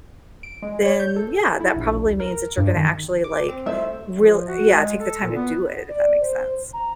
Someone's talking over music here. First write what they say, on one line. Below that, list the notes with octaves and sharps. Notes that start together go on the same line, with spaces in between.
then yeah, that probably means that you're gonna actually, like, real yeah, take the time to do it, if that makes sense?
D7
G#3
C#5
G6
A4
E4
A#1
D2
A#4
G2
D#3
D6
C4
A3 C5 E5
F3
F#4
G#3
A4
A#2
B3
D5
C5
A#5